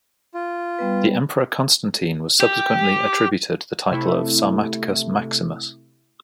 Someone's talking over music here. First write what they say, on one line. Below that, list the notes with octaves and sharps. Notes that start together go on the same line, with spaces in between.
The emperor Constantine was subsequently attributed the title of "Sarmaticus Maximus".
F4
G3 B3 B4
G4
C3 A3 E4